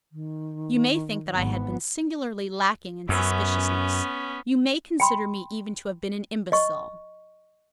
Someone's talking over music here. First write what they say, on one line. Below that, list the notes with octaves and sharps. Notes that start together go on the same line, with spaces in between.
You may think that I had been singularly lacking in suspiciousness; you may consider me even to have been an imbecile.
D#3
G#1 B3
F#2 B3 C#4
G5 B5 C6
D#5 C#6